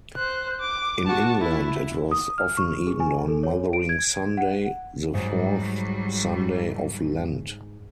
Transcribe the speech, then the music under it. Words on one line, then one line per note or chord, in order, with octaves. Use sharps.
In England it was often eaten on Mothering Sunday, the fourth Sunday of Lent.
C5 F#6
D6
F#4 A5
E4
D#6
F6
C#6
G#4
G#5
A4
C#5
D7
G#6
F#5
G#2 F#3 G3